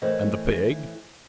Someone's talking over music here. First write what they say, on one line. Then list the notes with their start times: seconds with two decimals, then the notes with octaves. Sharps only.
"And the pig?"
0.02 A2 E3 A3 A#4 C5 D#5